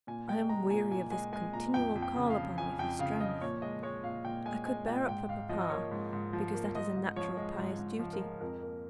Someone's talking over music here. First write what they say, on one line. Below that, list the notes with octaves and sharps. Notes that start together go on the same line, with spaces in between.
I am weary of this continual call upon me for strength. I could bear up for papa; because that is a natural, pious duty.
A#2 G#5
G#3 G5
G#3 A#5
A#2 G#5
A#2 G#5
G#3 G#5
G#3 G#5
A#2 A#5
F2 G5
F2
G5
C#3
F5
F3
F2 G#5
F2 G5
C#3 F5
F3 D#5
A#2 C#5
G#3 D#5
G#3 C#5
A#2 F5
A#2 G5
G#3 G#5
G#3 G#5
A#2 G5
G#2 G5
G#2 F5
F3 D#5
D#5
A#3 C#5
G#2
G#2
F3
A#3
G#2 D#5
G#2
F3 C#5
G#3
G#2
G#2
F3
A#4
G#3
F2 A#4
A#3